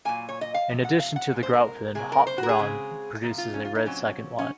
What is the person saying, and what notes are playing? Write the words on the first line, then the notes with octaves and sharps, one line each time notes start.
In addition to the "grand vin", Haut-Brion produces a red second wine.
A#2 F#3 A#3 G#5
C#5
D#5
F5
C3 F3
F#5
F5
F#5
A#2 G#3 C4
C5
A#4
C3 F#3 A#3 G#4
A#4
C5
F#4
A#4
G#4
C#3 G#3 C4
C3 F3 A#3
F4
C#4
F4
D#4
A#2 F#3 C4 C#4
C#4